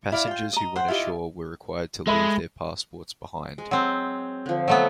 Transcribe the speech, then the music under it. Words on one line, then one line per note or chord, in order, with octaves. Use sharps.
Passengers who went ashore were required to leave their passports behind.
E4 D5 F5
F4 G5
D#5 A#5
C5 F#5 G5
E4 F4 G4 D#5
G#3 A4 E5 B5
G#3
F#3 C4
D3 F3
F#3 A3 B3